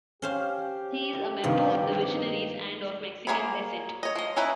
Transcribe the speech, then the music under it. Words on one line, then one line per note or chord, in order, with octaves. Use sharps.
He is a member of The Visionaries and Of Mexican Descent.
C#4 G4 C5 F5
G2 C3 D#3 F3
D#4
A#3 C#4 G#4 C#5 B5
C#5 D#5
F3 D#5
C#4 D#4 E4 B4 A#5